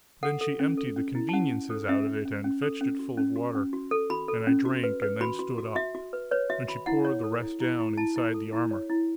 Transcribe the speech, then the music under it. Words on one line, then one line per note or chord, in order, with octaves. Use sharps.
Then she emptied the conveniences out of it and fetched it full of water, and I drank and then stood up, and she poured the rest down inside the armor.
A4 F#5
A4
C#4
A4
C#4
E4
A5
C#4 F#5
C#4
A4
C#4 E5
C#4
C#4
C#4
A4
C#4
F#4
C#4
F#4
C#4
F#4
A4
F#4 B5
A4
C#4
F#4
B4
B4
F#4 B5
F#4
F#4
F#4 E5
F#4
B4
B4 C#5
F#4 E5
F#4 B5
E4 F#5
C#5
A4
E4
E4
E4
E4 A5
E4
A4
E4
C#5
E4